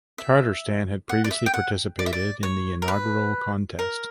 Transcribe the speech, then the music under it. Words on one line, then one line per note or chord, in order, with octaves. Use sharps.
Tatarstan had previously participated in the inaugural contest.
E5
F#5
D5
E5
G5
F#5
D5
E5
D5
C#5
A#4
B4
A#4